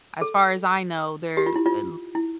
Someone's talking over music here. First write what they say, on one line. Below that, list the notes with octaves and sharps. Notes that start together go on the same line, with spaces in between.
as far as I know, there, uh,
A4
G4
F4
E4
F4
E4